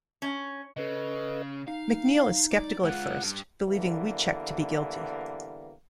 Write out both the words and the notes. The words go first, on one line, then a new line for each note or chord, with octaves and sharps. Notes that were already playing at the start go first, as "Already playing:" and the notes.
McNeal is skeptical at first, believing Wiecek to be guilty.
C#4
C#3 A4 B4 D#5
D#4 F5
D5
G#3 F4 F#5 F#6
G2
D3 E3 G3 A#3 B3